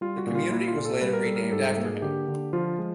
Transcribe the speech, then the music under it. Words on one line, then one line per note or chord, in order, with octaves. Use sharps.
The community was later renamed after him.
G3 F4
F#4
A#2
F4
A#3 E4
F4
A#2
A4
G3 B4
A#4
G3 A4
A#4
G#2 A4
G#4
A4
A#3
G#4
D3 G4
D3
F3 F4
G#3